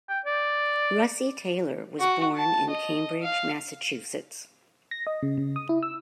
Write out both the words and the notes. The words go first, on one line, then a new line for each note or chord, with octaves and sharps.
Russi Taylor was born in Cambridge, Massachusetts.
G5
D5
F#4
A5
D#5
F5
A#6
D#5
C#3
C#3
D#6
E4
E6